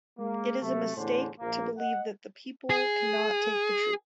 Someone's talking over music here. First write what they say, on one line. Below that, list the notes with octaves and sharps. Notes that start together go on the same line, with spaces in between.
It is a mistake to believe that the people cannot take the truth.
G#3 A#3
C3 F#3 A3
E2 A2 D3 C#4 C5
A#1 A#3
D#5 F#5
G#4